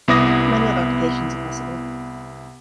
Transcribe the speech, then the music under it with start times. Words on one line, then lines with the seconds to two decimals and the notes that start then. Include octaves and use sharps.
Many other applications are possible.
0.08 C2 B3 E4 D6 D#6 A#6